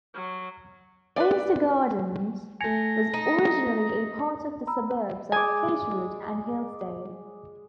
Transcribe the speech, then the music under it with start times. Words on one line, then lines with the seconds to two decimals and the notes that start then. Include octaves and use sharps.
Eastgardens was originally a part of the suburbs of Pagewood and Hillsdale.
0.15 F#3
1.16 B4 D5
2.61 A3 G#5 G#6 A#6 C#7 F7
3.14 D#4
4.67 A#5 B5 E6
5.32 G#3 D5 G#5